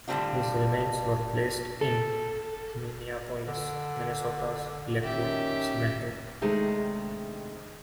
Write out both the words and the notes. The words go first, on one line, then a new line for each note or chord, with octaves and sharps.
His remains were placed in Minneapolis, Minnesota's Lakewood Cemetery.
A2 D3 G3 C4 D4 F4
A4
D3
D#3 C#4 G4 E5
C3 D#3 G#3 A3 D4 D#4